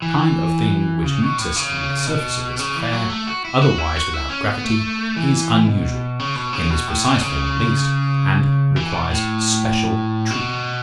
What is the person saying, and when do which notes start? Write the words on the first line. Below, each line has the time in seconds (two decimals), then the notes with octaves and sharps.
"The kind of thing which meets us under the surface of this affair, otherwise without gravity, is unusual--in this precise form at least--and requires special treatment."
0.02 E3
1.04 C#3
1.22 B2
1.38 A2
1.56 C#3
2.07 B2
2.59 C#3
2.75 E3
2.93 F#3
3.10 A3
3.27 F#4
3.45 E4
3.61 F#4
3.78 E4
3.96 F#4
4.14 E4
4.30 C#4
4.47 B3
4.64 A3
5.17 E3
5.67 B2
6.19 C#3
6.36 B2
6.53 C#3
6.70 B2
6.88 A2
7.04 B2
7.21 C#3
8.76 E3
8.93 B2
9.11 A2
10.31 B2